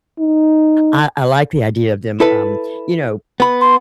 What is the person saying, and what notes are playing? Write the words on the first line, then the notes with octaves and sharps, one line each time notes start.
I I like the idea of them, um, you know,
D#4
E4 A4 B4
B3 B5
C6